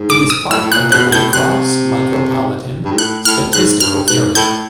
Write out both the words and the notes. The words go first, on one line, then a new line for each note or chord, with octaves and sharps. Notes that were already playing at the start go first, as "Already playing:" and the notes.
It is part of the Waycross Micropolitan Statistical Area.
Already playing: G#2
D6
D#6
A2 E6
A2
A#2 F#6
B2 F#6
A2 G6
C3 F#6
G2
G#2
A2 F#6
A2 F6
G#2 F#6
G2 F6
G#2 F#6
A2 G6